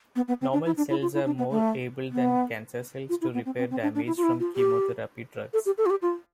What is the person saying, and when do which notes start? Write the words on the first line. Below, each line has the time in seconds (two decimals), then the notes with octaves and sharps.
Normal cells are more able than cancer cells to repair damage from chemotherapy drugs.
0.16 B3
0.28 B3
0.41 C4
0.53 D4
0.66 E4
0.77 D4
0.90 E4
1.02 F4
1.14 E4
1.26 D4
1.38 B3
1.51 A3
2.12 B3
3.09 F4
3.22 E4
3.34 B3
3.46 C4
3.58 C4
3.71 C4
3.82 D4
3.95 D4
4.07 E4
4.17 F4
4.23 E4
4.40 F4
4.56 G4
5.53 A4
5.66 G4
5.78 A4
5.86 F4
5.90 G4
6.02 F4